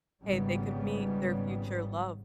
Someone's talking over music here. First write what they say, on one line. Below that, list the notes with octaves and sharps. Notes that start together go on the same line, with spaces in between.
Hey, they could meet their future love
G#1 G#2 C#3 G3 B3